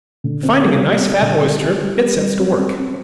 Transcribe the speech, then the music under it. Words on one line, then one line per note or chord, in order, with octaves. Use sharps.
Finding a nice fat oyster, it sets to work.
D3
C4
G3
C4
G3
D3
C4
G4
G3
G4
G3
C4
C4
C4